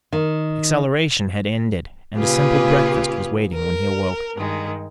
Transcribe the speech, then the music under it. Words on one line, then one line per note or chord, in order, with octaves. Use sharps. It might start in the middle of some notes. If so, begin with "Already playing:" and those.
Acceleration had ended, and a simple breakfast was waiting when he awoke.
D#3
A#2 C#3 F4 G4 G#4 B4
A#4
G2 D#3 G#3